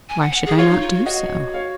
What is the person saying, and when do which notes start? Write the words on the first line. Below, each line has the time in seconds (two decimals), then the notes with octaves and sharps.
"Why should I not do so?"
0.09 G#5
0.22 F#5
0.34 F#5
0.46 G#4
0.58 F4 C#5 F5
0.70 D#4
0.81 F4
0.94 F#4
1.06 F#4 D#5 F#5
1.54 C#5 F5